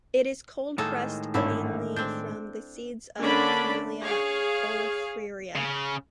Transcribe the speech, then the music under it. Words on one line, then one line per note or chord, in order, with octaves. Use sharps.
It is cold-pressed mainly from the seeds of "Camellia oleifera".
A2 D#3 G#3 A#3 D#4 A4
G#1 D3 A3 E4 C#5
C4 D4 G6
D3 A#3 C#4 D4 B5
G#4 C#5 F5
C#3